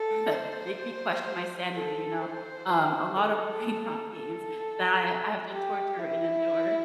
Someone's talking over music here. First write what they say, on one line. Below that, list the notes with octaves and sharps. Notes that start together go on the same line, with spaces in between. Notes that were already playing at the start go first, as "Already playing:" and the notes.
that make me question my sanity, you know. Um, a lotta Brainrot games that I have to torture and endure.
Already playing: A4
C5
A4
C5
A4
A4
G4
E4